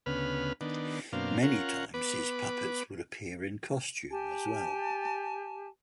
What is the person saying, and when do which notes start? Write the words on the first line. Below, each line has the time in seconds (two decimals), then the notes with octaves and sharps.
Many times his puppets would appear in costume as well.
0.06 D2 C#3 B3 B4 F6
0.61 D#3 B3 D4
1.13 F#2 B2 A#3 C4 D4 F5
1.42 C#4 F4 A#4 F#5
1.94 B3 B4 D6
4.10 G4 G#5 A5